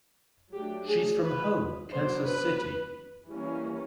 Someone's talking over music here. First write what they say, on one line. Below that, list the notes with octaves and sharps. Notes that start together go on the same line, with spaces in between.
She's from home — Kansas City.
F#3 A3 D4 G4
G#4
B4
F#3 B3 D4 C5
B4
E3 G3 A#3 C#4